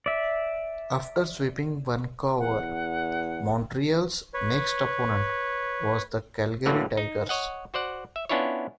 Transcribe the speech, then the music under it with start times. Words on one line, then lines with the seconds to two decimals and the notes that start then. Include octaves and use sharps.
After sweeping Vancouver, Montreal's next opponent was the Calgary Tigers.
0.06 D5 E5
2.39 E2 F#5
4.34 B4 C#5
6.66 F#2 A2 D3 E3 F#3 A#3
6.97 D#4
7.29 C#5 D#5 F#5
7.74 F#4 C5 D5 F#5
8.16 E5
8.29 B3 C#4 D4 E4 F4 C#5